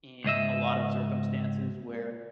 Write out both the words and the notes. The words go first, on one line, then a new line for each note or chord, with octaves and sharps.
in a lot of circumstances where,
C#2 G#2 D#5 E5